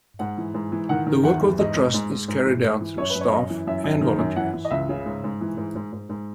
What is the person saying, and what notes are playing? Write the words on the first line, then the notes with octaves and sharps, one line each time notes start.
The work of the trust is carried out through staff and volunteers.
G#2 F#5
E3
G#2
E3
D#3 F#5
D#3
E2 F#5
E2
G#2 D#5
G#2
G#2
G#2
G#2
E3
G#2
E3
F#2 C#5
B4
F#2
C#5
F#2 D#5
E3
F#2 E5
F#2
D#3
F#2
E3 F#5
E3
D#5
C#2 E5
C#3
G#2
G#2
E3
G#2
G#2
G#2
G#2